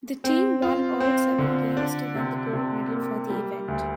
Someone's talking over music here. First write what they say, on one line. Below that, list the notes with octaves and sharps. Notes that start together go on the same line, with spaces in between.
The team won all seven games to win the gold medal for the event.
C4
F4
C4
D3
D4
C3
C3
A#3
G3
D2